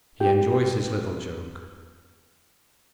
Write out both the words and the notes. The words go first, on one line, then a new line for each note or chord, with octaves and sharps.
He enjoys his little joke.
G4 G5